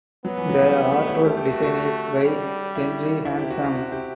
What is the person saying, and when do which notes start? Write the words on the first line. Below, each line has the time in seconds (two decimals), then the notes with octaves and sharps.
The artwork design is by Hendry Handsome.
0.25 F#3 B3
0.37 E3
0.49 F#3
0.62 G3
0.74 G3
0.91 A3
1.08 E4
1.25 A3 G4
1.37 G4
1.50 F#4
1.63 F#4
2.24 G3
2.75 E4
3.25 C3 E4
3.38 G4
3.51 F#4
3.62 G4
3.75 F#4
3.92 G4